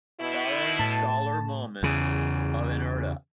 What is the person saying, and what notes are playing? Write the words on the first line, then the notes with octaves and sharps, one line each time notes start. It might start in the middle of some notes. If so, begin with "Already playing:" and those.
Following are scalar moments of inertia.
B2 E4
A2 A5
E2 C#3